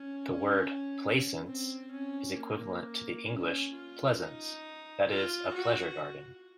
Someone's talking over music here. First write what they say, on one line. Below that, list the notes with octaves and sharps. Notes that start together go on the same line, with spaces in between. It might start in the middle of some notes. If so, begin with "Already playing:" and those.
The word "plaisance" is equivalent to the English "pleasance", that is a pleasure garden.
Already playing: C#4
C4
C#4
A#3
C#4
F4
D#4
F4
F#4